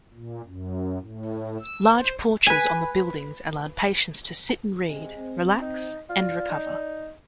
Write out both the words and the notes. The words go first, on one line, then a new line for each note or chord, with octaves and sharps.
Large porches on the buildings allowed patients to sit and read, relax, and recover.
A#2
F#2
A2
E6
C5
B4 G#5
C3 G#3
C4
D#4
F4 D5
D#4